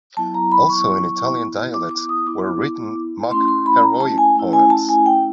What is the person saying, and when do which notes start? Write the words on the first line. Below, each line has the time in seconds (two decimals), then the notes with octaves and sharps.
Also in Italian dialects were written mock-heroic poems.
0.17 F#3 B3 E4 A5
0.34 A#5
0.52 B5
0.69 C#6
1.21 B3 E4
1.74 D6
1.91 D6
2.09 D#6
2.26 B3 E4 D6
3.31 A3 C#4 E4 C6
3.48 C6
3.66 B5
3.83 A#5
4.00 A5
4.18 G#5
4.36 A3 C#4 E4
4.53 G#5
4.70 A5
4.89 G#5
5.06 G5